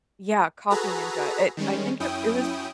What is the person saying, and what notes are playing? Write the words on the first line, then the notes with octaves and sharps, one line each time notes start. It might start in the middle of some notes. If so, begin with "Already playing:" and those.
Y yeah, Coffee Ninja, it I think it it was
F#4 G#4 A4 B4 A#5
D#3 G3 G#3 C#4
F#2 C#4 E4 G5 D#6